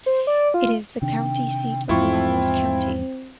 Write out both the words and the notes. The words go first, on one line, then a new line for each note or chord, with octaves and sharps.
It is the county seat of Ralls County.
C5
D5
F4
C3 D#3 D4 G5
E2 G#2 F3 C4 E4 F4 G5 C#6